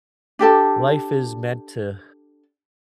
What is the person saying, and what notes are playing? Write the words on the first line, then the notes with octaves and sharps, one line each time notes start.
life is meant to,
D4 G4 A4 A5